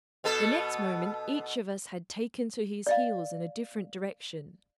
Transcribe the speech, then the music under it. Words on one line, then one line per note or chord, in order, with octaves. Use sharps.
The next moment each of us had taken to his heels in a different direction.
B2 B3 A4
D5 D#5 F5